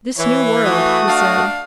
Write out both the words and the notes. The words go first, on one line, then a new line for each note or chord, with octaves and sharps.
"This new world," he said.
E3 C#5
A3 F#4 D#6
D4 F5